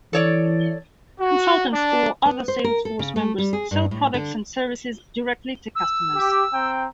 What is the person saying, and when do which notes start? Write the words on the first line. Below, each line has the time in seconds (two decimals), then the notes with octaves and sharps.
Consultants or other sales force members sell products and services directly to customers.
0.13 E3 A4 C#5 D5
1.20 F#4
1.73 D4
2.26 B3
2.48 C5
2.64 A#4
2.85 A4
2.99 C#3
3.16 A3
3.38 G3
3.53 G#4
3.71 G2
3.91 A2
4.14 D3
5.75 E6
6.15 G4
6.54 C4 G5 A#5